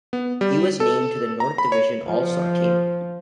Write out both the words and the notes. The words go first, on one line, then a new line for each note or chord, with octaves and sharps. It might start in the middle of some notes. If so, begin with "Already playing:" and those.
He was named to the North Division All-Star team.
B3
G3
A4
A#5
B5
C#5
F3